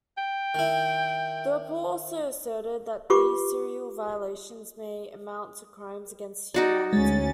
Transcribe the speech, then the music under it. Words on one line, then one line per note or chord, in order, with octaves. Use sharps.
The report also asserted that these serial violations may amount to crimes against humanity.
G5
D#3 E4
F4 G4 B4 C#6 D6
D#4 F#4 D5
D2 G#3 C#4 A6